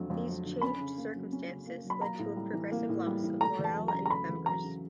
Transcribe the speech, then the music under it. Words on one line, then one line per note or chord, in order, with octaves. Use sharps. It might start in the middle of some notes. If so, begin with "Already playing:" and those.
These changed circumstances led to a progressive loss of morale and members.
Already playing: F2 D3 F#3
F2
F#3
D3
C#4 B5
C#3
A#3
F#3
C#4
C#3
A#3
F#3
B5
A#3 A#5
A2
G3
E3
A#3
A2
G3
E3
A3 A#5
E2
A5
F#3
A#5
C#3
A#5
A3 B5
E2
F#3 A#5
C#3